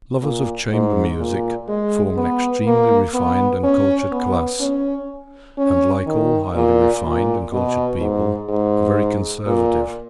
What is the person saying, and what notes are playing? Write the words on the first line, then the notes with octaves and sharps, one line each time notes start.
Lovers of chamber music form an extremely refined and cultured class, and, like all highly refined and cultured people, are very conservative.
A#2
G#2
A#2
G#3
B3
A#3
B3
C#4
B3
C#4
C#4
D#3
A#2
A#2
B2
G#2
G#2
A#2